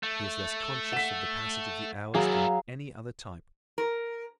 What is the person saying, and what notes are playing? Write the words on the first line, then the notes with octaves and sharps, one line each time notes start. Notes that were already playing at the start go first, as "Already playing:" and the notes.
He is less conscious of the passage of the hours than any other type.
A3
F#5 B6 E7
F#3 A#3 E4 G#4 F5 A#5
A#4